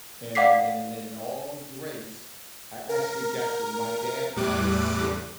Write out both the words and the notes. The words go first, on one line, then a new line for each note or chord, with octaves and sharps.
and and and all the greats I actually got to my dad and I would sit
D5 F5 F#5 D6 B6 C7
A#4
E2 A2 G3 D6 F#6 D#7